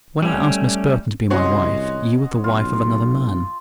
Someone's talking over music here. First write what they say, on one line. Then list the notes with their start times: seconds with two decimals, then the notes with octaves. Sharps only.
When I asked Miss Burton to be my wife you were the wife of another man.
0.22 G3 A3 C#4
1.30 C2 C#4 F#4 D#5 C6
2.44 B1 F4